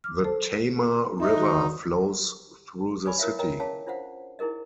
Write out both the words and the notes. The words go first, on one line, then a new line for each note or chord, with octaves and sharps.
The Tama River flows through the city.
D6 F6
A4 C5 A5
D#4 E5
D#3 F#4
B4 C#5 D5 G#5 B5 D6
E4 A#4 C#5 E5 F5
A#4 B4 C#5 D#5 G5 A#5
C#4 G#4 C#5 F5 A5
D4 F4 C5 F5 F#5
D#4 E4 G#4 A#4 D#5